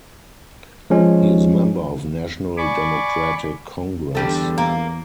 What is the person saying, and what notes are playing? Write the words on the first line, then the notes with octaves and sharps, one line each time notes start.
He is member of National Democratic Congress.
F3 G#3 C#4
D5 G#5 B5 C#6 D6
E2 D3 G3 A4
A#3